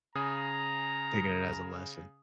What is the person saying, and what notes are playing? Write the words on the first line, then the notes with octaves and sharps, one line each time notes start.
taking it as a lesson.
C#3 G#4 A#5 D#6